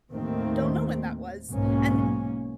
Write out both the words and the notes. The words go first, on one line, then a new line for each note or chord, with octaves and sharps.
don't know when that was, and,
D#2 A2 D#3 A3 A#3 C4
B1 G#2 A#3 C#4